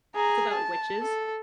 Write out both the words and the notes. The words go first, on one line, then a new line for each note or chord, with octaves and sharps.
it's about witches,
G#4 A#5
A5
A4